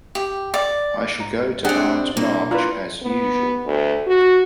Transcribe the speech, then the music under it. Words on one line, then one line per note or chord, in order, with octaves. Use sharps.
I shall go to Aunt March, as usual.
G4
D5
G#2 A#5
C4 D4 G4 G#4 F#5
B2 A#3 C4 E4
E4 F4 B4 D5 A#5
B3
D2
F#4